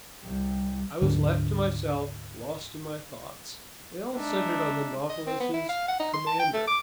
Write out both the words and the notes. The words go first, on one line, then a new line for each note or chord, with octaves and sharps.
I was left to myself, lost in my thoughts. They all centered on the Nautilus's commander.
C2 G3
D2 G#2 D3
G#3 D4 D#4 E5
D#5
C4
B3
E4
F5
F#5
D#4
C6
A5
G5
A3
D6